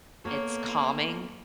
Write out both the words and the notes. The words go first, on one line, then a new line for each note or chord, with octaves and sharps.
it's calming,
A#3 B3 A4 C#5